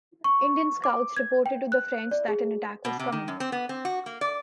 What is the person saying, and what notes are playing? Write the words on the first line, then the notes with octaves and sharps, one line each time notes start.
Indian scouts reported to the French that an attack was coming.
C#6
D6
G#6
G5
F#6
D5
G#4
B2
C3
D#3
F#2
C4
B3
C4
F#4
A#3
D5